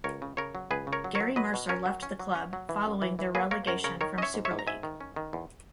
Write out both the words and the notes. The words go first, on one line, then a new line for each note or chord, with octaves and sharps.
Gary Mercer left the club following their relegation from Super League.
C#2 A#4 C#5
C#3
C#3 A#4 C#5
F#3
C#2 G#4 B4
C#3
A#4 C#5
F#3
A#4 C#5
F#3
F#3 B4 D#5
B2
C#4 A#4 C#5
F#3
C#4
F#3
C#4
F#3
E3
F#2
E3
E3
A#3 G#4 B4
A#3 A#4 C#5
F#2 A#4 C#5
C#3 A#4 C#5
D#3 A#4 C#5
C#4 C#5 D#5 E5
G#2
C#5 E5
G#2
A#5
G#2 E5 G#5
D#3
C#4
D#3
E2